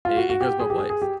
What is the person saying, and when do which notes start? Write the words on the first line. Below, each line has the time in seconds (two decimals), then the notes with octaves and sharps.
It it goes both ways,
0.05 F4
0.17 F#4
0.30 F#4
0.41 G4
0.60 G#4
0.70 G4
0.78 G#4
0.90 G#4
1.02 G4